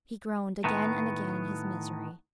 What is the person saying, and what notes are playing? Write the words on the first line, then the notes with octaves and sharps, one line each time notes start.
He groaned again and again in his misery.
A2 D#3 B3